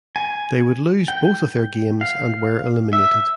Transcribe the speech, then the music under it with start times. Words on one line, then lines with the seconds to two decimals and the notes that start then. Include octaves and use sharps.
They would lose both of their games and were eliminated.
0.16 G#5
1.08 G5
2.01 F5
2.93 E5